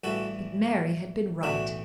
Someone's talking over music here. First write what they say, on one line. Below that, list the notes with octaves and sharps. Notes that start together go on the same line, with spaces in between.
But Mary had been right.
A1 G2 E3 F#4 A4
B1 A2 E3 D4 F#4